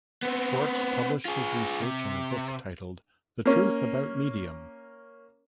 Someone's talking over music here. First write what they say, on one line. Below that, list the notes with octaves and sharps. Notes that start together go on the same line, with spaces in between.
Schwartz published his research in a book titled "The Truth About Medium".
B3 C4
F4 G#4
C3
A#3 C#4